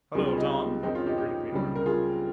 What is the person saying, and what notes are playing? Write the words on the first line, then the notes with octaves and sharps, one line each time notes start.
"Hello, Tom," he greeted me heartily.
C#2 C3 G3 F4 G#4
F4 G#4
D#4 G4
F2 D#3 G#3 C4 D#4
C#4 F4
D#4 G4
D#4 G4
C#2 C#3 G3
A#4
F4 G#4